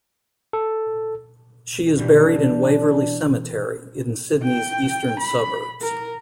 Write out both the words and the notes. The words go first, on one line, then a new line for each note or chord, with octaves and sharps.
She is buried in Waverley Cemetery, in Sydney's eastern suburbs.
A4
B2 E3 D4 G4
G5
B5
A#4